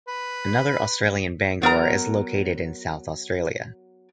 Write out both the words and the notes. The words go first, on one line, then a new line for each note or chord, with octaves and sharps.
Another Australian Bangor is located in South Australia.
B4
F#3 B3 A#4 A#5